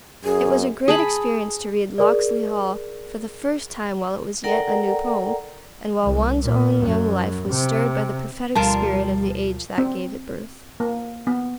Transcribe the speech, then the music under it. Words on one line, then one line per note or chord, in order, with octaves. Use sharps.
It was a great experience to read "Locksley Hall" for the first time while it was yet a new poem, and while one's own young life was stirred by the prophetic spirit of the age that gave it birth.
F#2 G#4
G#4 A5 B5
G#4 A#4 D5
A4 A#4 D5 F#5 G5 A#5
C2
A#2
F#2
C3
D2 B2 F3 G3 F4 A#4 A5
C4
A#3
B3